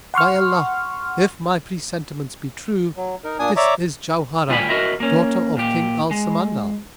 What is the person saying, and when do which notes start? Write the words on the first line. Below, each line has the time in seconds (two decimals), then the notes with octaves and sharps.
By Allah, if my presentiments be true, this is Jauharah, daughter of King Al-Samandal!
0.14 F#5 C6 C#6 F6
2.96 F#3
3.24 D#4 A#4
3.39 A#2 D4 G#5 D#6
3.56 C#5 D5 E5 A#5 D6
4.49 D2 G3 F4 G#5 B5
4.69 F#4 A#4 D#5 E5
5.00 A#3 C#4
5.57 A#2 G4
6.11 G#3